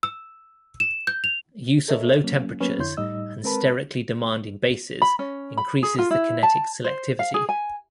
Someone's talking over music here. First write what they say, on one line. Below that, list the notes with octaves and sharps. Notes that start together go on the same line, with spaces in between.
Use of low temperatures and sterically demanding bases increases the kinetic selectivity.
E6
E7
G6
F7
A4 A#4 C#5 D#5 E5
F#3 A#3 C#4
F#3 A#3 B3 C#4 B4
F2 D3 E4 C#5 C6 G6
A2 G3 D#4 D#5 E6
G#3 C4 A#4 B4 A5 B5
B5
C#4
B5
G#4
F4
E4
A5
C5
F5
G#4
G#5